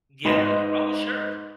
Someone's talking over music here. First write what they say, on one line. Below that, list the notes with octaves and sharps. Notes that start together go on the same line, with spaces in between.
Yeah. Oh, sure.
G#2 B4 D#5 C6 E7